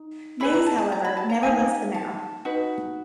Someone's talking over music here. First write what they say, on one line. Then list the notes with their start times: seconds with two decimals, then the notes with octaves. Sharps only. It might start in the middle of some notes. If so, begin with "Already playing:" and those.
Mays, however, never left the mound.
Already playing: D#4
0.40 E4 G#4 B4 B5
0.53 A#5
0.66 A5
0.78 A5
0.92 A#5
1.05 B5
1.17 A5
1.30 A#5
1.42 D#4 G4 A#4 G#5
1.94 A5
2.45 D#4 F#4 B4